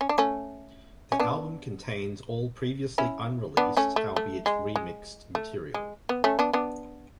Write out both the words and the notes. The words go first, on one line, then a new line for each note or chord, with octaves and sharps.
The album contains all previously unreleased, albeit remixed material.
C#4
D4
A3 C#4
C#4
B3 D4
C#4 E4
B3 D4
A3 C#4
A3
A3
G#3
G#3
A3
G#3
B3
A3 C#4
B3 D4
B3 D4